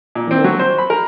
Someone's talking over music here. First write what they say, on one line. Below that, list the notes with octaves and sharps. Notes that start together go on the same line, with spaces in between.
You know?
A#2
C4
F#3
C5
B5
A#4